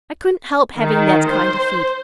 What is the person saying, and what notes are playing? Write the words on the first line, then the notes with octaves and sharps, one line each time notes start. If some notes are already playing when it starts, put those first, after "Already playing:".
I couldn't help having that kind of feet.
D#3
C5